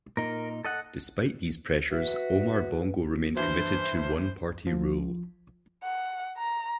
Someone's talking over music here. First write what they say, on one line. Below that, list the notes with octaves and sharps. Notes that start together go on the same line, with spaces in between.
Despite these pressures, Omar Bongo remained committed to one-party rule.
A#2 D#4 A#4
A4 D#5 F#5
F#4 B4 E5
G2 E3 F#3 C5
F3
F#5
A#5